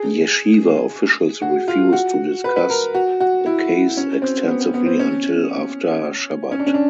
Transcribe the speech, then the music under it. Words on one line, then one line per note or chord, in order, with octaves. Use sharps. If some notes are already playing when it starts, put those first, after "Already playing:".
Yeshiva officials refused to discuss the case extensively until after Shabbat.
Already playing: G#4
F#4
F4
F#4
B4
B4
A#4
F#4
F#4
E4
C#4
C4
B3
B3
B3
C4
C#4
C#4
D4
C#4
D4